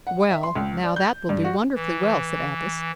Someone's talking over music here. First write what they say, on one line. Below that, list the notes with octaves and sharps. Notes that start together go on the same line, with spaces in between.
"Well, now that will do wonderfully well," said Athos.
F#5
E5
C6
C#2
D5
G6
G2
F#4
E3